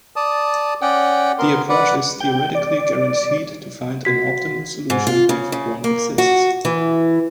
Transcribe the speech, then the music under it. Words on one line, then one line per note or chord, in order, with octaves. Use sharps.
The approach is theoretically guaranteed to find an optimal solution if one exists.
D5 A5 D#6
C#4 D5 F#5 G5
B3 A#4 C6
B4 D5 F#5
G5
D5
F#4 B6
G#2
F4
C#3
C#3
A#3
F#4
E3